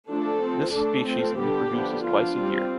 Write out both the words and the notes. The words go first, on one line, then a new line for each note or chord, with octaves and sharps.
This species reproduces twice a year.
F3 A3 D4 A4
F3 C4
D3 A3 D4 A4
F3 A3 C4
D3 G3 B3 D4 G4
D3 F3 B3 D4
F3 B3 D4 F4
G3 C4